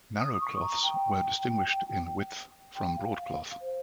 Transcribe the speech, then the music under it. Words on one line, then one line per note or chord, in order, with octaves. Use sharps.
Narrow cloths were distinguished in width from Broadcloth.
D#6
D#6
C#6
A#5
G5
G5
F5
F5
C5